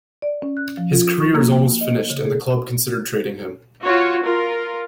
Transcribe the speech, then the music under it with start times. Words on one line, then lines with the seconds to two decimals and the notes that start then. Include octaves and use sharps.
His career is almost finished and the club consider trading him.
0.22 D5
0.42 C#4
0.57 F#6
0.77 F3
0.92 F4
1.20 C#6
1.34 A#3
1.52 G5
1.81 D#5
2.10 C#3
2.25 G#4
3.83 F4 F#4 C#5
4.22 F4 A#4